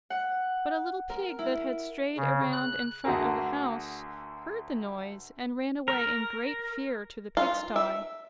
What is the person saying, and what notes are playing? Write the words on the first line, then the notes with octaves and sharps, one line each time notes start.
But a little pig that had strayed around in front of the house heard the noise, and ran away in great fear to the pigsty.
F#5
A#4
E4
C#3
F#6
D2 D3 F#4 G#4 A#4
A#4
F4
E5